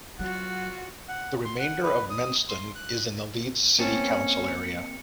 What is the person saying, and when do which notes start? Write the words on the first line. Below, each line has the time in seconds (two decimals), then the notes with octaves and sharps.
The remainder of Menston is in the Leeds City Council area.
0.19 F#3 F4 F#4 F#5
1.08 F#5
1.45 C6
1.59 F#5
1.83 B4
2.10 D#6
2.49 C6
2.75 F#6
3.79 A#3 C4 C#4 A5 C#7